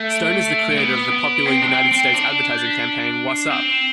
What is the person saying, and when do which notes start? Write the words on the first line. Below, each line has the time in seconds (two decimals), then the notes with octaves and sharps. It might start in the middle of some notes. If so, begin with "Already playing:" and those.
Stone is the creator of the popular United States advertising campaign Whassup?
Already playing: A3
0.10 D7
0.71 A3
0.77 B3 D7
1.12 B3
1.46 C4
1.62 D4
1.69 C4
1.92 C4
2.14 D4
2.51 G6
2.58 A6
2.67 B6
2.75 C7
2.82 D7
3.05 D7
3.28 C7
3.50 C4 E7
3.68 E7